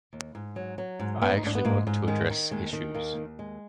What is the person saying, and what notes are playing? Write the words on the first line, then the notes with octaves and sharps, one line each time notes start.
I actually want to address issues.
D#2
G#2
F#3
F#3
G#2
G#2 B3
D#4
G#2 D4
B3
G#2 A#3
G#2
D#3 G#3
D#3
D#2 G#3
D#3
D#2 A#3
D#2
G#3